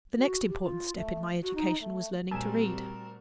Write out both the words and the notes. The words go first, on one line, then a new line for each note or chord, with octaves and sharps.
The next important step in my education was learning to read.
F#4
G4
F4
A3
F#4
D#4
A3
A#2 G3 A3 C4 F#4 A#4 G#5 E7